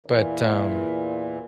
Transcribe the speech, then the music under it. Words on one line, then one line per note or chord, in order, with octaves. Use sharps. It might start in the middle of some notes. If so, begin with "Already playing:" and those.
but, um
E2 A#2 E3